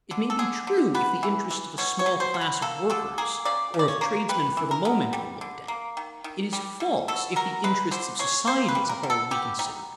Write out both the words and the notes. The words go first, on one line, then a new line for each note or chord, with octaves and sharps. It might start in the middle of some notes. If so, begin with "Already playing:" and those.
It may be true, if the interests of a small class of workers or of tradesmen for the moment are looked at; it is false, if the interests of society as a whole be considered.
D3
A4
D3 G#4
D3
B3 B4
E3
E3
B2 C#5
C#5
B2
C5
B2
B4
A#3 A4
D3 A4
A#3 G#4
C#3 D5
C#3
D5
C#5
A#3
G3 B4
E3
A#4
B3
G3
D3
A#3
D#3
D#3
G3
B2
B2 A4
B2 A#4
G#3 B4
D3 C5
G#3 C#5
A#3 C5
B4
G3
A#4
B2
A4
B3 G4
G3 D#4